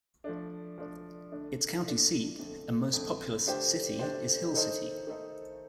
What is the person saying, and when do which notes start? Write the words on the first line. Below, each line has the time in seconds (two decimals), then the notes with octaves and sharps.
Its county seat and most populous city is Hill City.
0.24 F3 A3 D4
0.78 F3 A3 D4
1.32 D3 A3 D4
1.86 D3 A3 D4
2.39 F2 D3 A3
2.93 F2 D3 A3
3.46 D3 A3 D4 G4 C5
3.99 D3 A3 D4 G4 C5
4.54 D#3 A3 D#4 A4 C5
5.07 D#3 A3 D#4 A4 C5